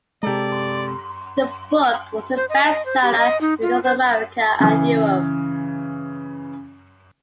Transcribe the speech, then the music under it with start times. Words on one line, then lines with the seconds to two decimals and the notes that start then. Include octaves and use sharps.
The book was a bestseller in North America and Europe.
0.23 C3 G#3 G4 A4 D5 A#5
2.37 C5
2.50 D#5
2.64 D#5
2.86 C5
3.03 G4
3.17 D#5
3.41 D#4
3.62 F4
3.84 C5
4.60 C#3 E3